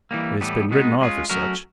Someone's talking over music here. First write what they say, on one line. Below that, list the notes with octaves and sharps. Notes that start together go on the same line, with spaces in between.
It's been written off as such.
E3 G3 A#3
A2 E3 G3 B3
B2 G#3 B3 D#4
G#3 C#4 F4 G#4
F#3 A3 C#4 F#4 A#4